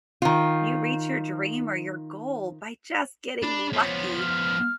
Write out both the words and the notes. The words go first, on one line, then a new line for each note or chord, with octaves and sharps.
you reach your dream or your goal by just getting lucky,
D#3 F4
D4 B5
F3 B3 C#5
F6